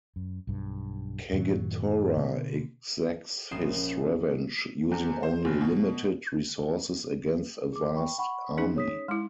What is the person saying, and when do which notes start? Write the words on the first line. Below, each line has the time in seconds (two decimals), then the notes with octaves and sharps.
Kagetora exacts his revenge, using only limited resources against a vast army.
0.16 F#2
0.47 B1 G2
1.32 F#2 A2 D#3 F#3
2.17 B2 D3 B3
3.51 A#1 C#4 D#6 C7 E7
4.91 E2
5.23 C5
5.45 F1
5.61 B2
7.73 G#4 D6
7.95 G5 B5 C#6
8.18 F#5 B5 C#6
8.58 C#4 D#4 G#4
8.76 C#5 D#6 B6
9.08 G#3 E4 C6